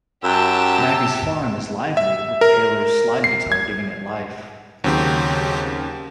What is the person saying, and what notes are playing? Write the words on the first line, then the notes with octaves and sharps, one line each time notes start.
Maggie's Farm is lively with Taylors slide guitar giving it life.
F#2 G4 A5 E6
E5
A#4
C7
G#6
D#2 C#3 F#3 C4 G4